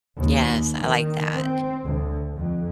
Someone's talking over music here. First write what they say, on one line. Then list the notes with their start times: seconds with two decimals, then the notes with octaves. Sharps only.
Yes, I like that.
0.17 D#2
0.79 D#3
1.35 C4
1.84 D2
2.35 F2